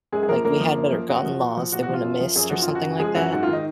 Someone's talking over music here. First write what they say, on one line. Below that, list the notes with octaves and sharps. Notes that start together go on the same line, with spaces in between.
like, we had better gun laws, they wouldn't have missed," or something like that,
F#2 G#3 G#4
G#4
F3 A#3 A#4
F#2 A#3 A#4
F3
F#2
F3
F#2 F#4
F3
A#2
F3
A#2 F#4
F#4
F3
F4
F#2
F3
F#2 G#4
F3 F#4
F4
F#2
F#4
C#3
F3 G#3 G#4
F#2 F#4
G#2 F#4
F4
D#3
D#4 D#5